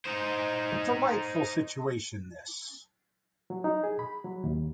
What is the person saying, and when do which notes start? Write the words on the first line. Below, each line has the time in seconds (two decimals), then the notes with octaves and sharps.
Delightful situation this.
0.05 D#4 C5
3.50 F#3
3.64 D#4
3.83 G#4
3.99 B5
4.24 F#3
4.44 D#2